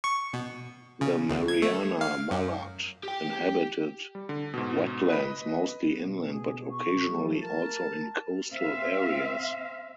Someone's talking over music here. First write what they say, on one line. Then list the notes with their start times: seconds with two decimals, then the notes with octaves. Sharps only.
The Mariana mallard inhabited wetlands, mostly inland but occasionally also in coastal areas.
0.04 C#6
0.33 B2
1.01 C#3
1.29 D2
1.48 G#6
1.62 A3
2.01 F5
2.31 F#2
3.03 G4 G5
4.15 G3
4.29 D3
4.54 G#2 B2
5.08 B4 D#5 B5
6.00 B2
6.29 G#4
6.71 C#6
7.08 F3 G3 A3
7.42 A#4 A5
8.51 C4 E5 F5